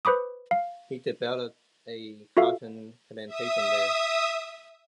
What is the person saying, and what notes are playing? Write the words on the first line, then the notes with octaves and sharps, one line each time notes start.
He developed a cotton plantation there.
B4 C5 B5 D6 D#6
F5
F4 F#4 A4 E5 F5
E5 D#6